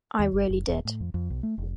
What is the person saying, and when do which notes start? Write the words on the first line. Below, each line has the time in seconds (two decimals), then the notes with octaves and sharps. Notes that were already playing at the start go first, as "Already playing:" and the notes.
I really did.
0.19 D#2
0.33 G1
0.49 F#1
0.68 E1
0.85 A2
1.01 F2
1.14 F2
1.30 B1
1.43 A3
1.58 F1